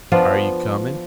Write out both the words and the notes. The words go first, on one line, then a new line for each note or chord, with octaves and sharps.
"Are you coming?"
F3 B3 D4 F4